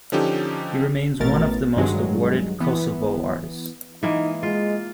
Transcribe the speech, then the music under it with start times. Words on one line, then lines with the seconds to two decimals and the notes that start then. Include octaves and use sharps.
He remains one of the most awarded Kosovo artists.
0.12 D3 F3 C#4 D#4 G4 A4
1.20 A1 B2 A3 A#4 A6
1.77 G2 D#3 F#3 G#3
2.60 E3 B3
4.03 E3 G#3 A#3 D#4
4.43 G#3 F4